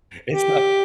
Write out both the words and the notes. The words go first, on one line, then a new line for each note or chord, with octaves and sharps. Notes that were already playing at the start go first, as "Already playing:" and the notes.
It's not
G4